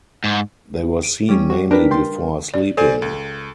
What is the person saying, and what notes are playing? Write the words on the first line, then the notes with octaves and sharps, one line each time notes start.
They were seen mainly before sleeping.
G#2
D7 D#7
G3 C#4
F#4
D4 G4 A#4 B4 B6
G5 C6 A6
D5
A4 C5 D5 G#5
C#2